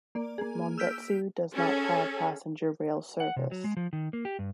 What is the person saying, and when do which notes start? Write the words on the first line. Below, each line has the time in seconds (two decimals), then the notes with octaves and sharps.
Monbetsu does not have passenger rail service.
0.15 A#3 D5
0.38 A#3 G#4
0.78 E6 F6 G6 B6 D7
1.53 C#4 G#4 A4
3.20 F#5
3.36 C3
3.51 F#3
3.64 G#3
3.77 F3
3.93 D#3
4.13 A#3
4.25 G4
4.39 G2